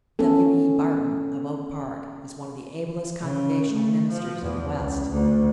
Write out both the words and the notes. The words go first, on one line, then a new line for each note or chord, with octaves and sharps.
W. E. Barton, of Oak Park, is one of the ablest Congregational ministers in the West.
B3 C#4 A4
C#3
A3
F3
E2
C#2
D2